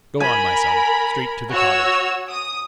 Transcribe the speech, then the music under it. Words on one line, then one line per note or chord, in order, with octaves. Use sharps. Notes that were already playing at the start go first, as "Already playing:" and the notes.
Go on, my son--straight to the cottage.
A#4 G#5 B5
F#4 C#5 E6
D#6